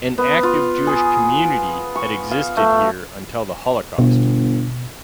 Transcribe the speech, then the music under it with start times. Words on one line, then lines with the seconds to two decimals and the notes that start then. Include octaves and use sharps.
An active Jewish community had existed here until the Holocaust.
0.18 B3
0.43 F4
0.87 G#4
1.95 C#6
2.31 F5
2.57 A3
3.98 G1 B2